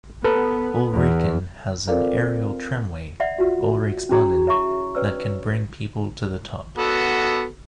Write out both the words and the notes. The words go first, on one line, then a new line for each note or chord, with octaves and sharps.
Ulriken has an aerial tramway, Ulriksbanen, that can bring people to the top.
B3 A4 B4
E2
C4 F4 A4 A#4 D5 F5
D5 E5 F#5 B5
F4 F#4
C#4 E4 F#4 G#4 A#5
C#5 E5 A#5 C#6
C#4 B4 C#5 D5 E6
B3 F#4 A4